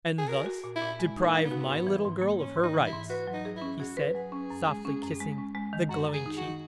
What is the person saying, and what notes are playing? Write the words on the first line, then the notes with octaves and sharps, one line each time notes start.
"And thus deprive my little girl of her rights," he said, softly kissing the glowing cheek.
G#4
F#4 A#4
F#4
A#2
E4
A#2
G#3
D#4
A#3
D#4
B3
F#4
G#2
E3
G#2
A#3
G#2 C#4
G#2
D#4
E3
E4
G#2
F#4 B4
F#3
D#4
G#4
E4
C#4
F#4 G#4
B4
F#3 G#4
C#4
F#2
G#3
C#4
F#2
G#3
C#4
G#3
D#3
F#2 F#4
F#2
G#4
D#4
F#4
D#3